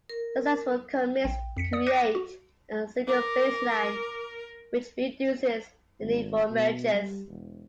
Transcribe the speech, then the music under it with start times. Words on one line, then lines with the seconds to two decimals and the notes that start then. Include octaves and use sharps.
Successful commits create a single baseline, which reduces the need for merges.
0.09 A#4
1.25 A#1 G5
1.57 F2 B6 C#7
1.73 D5 D#6 C#7
1.86 D6 F#6 A#6 C7 C#7 D#7
2.15 F#4
3.08 A#4 D6
6.01 G#1
6.50 B2
6.94 G3
7.27 E1